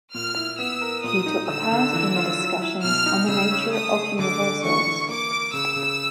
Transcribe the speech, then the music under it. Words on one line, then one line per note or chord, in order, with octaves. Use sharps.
He took part in the discussions on the nature of Universals.
A#2 F6
E4
B3 E6
A#4
A#2 D#6
D#4
D3 E6
D3
E3
F4
F#3
E4
B2 F6
D#4
C#3 E6
C#4
A3 D#6
G#4
D3 D6
D3
E3 C#6
E3
A#3 D6
A#4
C#3 E6
C#3